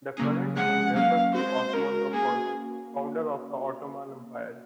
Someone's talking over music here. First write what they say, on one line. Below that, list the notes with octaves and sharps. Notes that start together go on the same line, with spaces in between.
The current name refers to Osman the First, founder of the Ottoman Empire.
C#3 F#3 A#3 C#4 G#4
C3 F3 G#3 C#4 G#4 F#5
F#3 A#3 C#4 F5
G#3 C4 F#4 C5
G#3 C#4 F#4 A#4
A#3 C#4 F#4 G#4